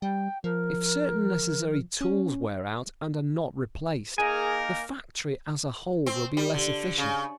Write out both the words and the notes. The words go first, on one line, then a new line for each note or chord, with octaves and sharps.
If certain necessary tools wear out and are not replaced, the factory as a whole will be less efficient.
G3 G5
F3 A#4
C#4
A#3 D#4 G#4 A#4 G#5
C4
G3
D3
C#3